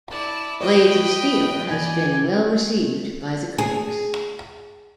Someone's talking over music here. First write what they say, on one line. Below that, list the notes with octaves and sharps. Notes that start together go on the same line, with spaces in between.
Blades of Steel has been well received by critics.
E4 D5 A5
B4 C5 D5 D#5 G5 C#6
E3 G4 D5 G#5
G#4